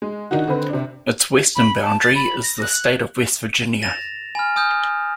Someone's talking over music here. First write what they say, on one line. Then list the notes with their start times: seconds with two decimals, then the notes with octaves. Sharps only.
Its western boundary is the State of West Virginia.
0.02 G#3
0.31 D#3 D4 D#4 F#4
0.47 D3 C4 B4
0.69 C3 D4
1.55 B5
1.83 A5
2.00 A6
2.15 B5
2.43 A#6
2.62 F#6
3.82 A6 A#6 E7 F7
4.35 G#5 B5 F6
4.56 G#5 D#6 F6 G6